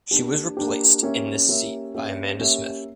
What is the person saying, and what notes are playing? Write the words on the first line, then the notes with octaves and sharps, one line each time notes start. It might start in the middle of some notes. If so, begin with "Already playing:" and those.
She was replaced in this seat by Amanda Smith.
A#3 D4 G4
A#3 D4 G4
A#3 C#4 G4 C#5 E5
A#3 C#4 G4 C#5 E5
A#3 C#4 G4 C#5 E5
A#3 C#4 G4 C#5 E5